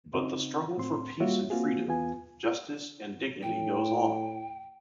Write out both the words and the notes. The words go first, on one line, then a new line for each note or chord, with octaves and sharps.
But the struggle for peace and freedom, justice and dignity goes on.
C#3 C4 D#4
A2 C4 C6
G3 A#3 F4 F#4 C#5 E5
A#3 C4 F4 F#4 G#4
E2 B3 F4 G#5
A2 G5